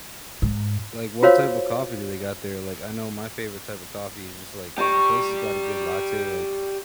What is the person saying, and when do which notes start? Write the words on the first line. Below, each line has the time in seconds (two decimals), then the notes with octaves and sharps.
like, what type of coffee do they got there? Like, I know my favorite type of coffee is just, like, if a place has got a good latte like,
0.42 G#2
1.23 F4 F#4 A#4 C5 C#5 F5
4.78 G4 D5 A#5 C#6